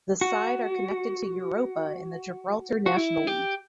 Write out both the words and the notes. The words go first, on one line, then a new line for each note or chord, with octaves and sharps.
The side are connected to Europa in the Gibraltar National League.
F#4
F#4
E4
G4